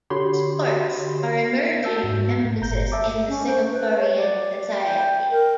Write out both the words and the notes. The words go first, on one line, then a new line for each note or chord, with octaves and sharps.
Sports are an emerging emphasis in the Singaporean society.
D3 F#4 G4 C#5 B5 C6
F#4 A5 E6 G6
G#2
B3
A2
G1 A#5 G6
E5 A5 D6
C#4
C5
B4
C#5
D5
G5
A#4